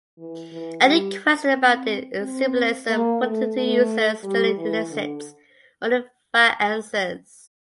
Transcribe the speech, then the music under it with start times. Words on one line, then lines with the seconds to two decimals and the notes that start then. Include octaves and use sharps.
Any question about their symbolism put to the users generally elicits only vague answers.
0.18 E3
0.52 E3
0.85 G3
1.53 C4
2.20 C4
2.89 A#3
3.22 A3
3.56 A3
4.24 G3
4.57 E3
4.92 D3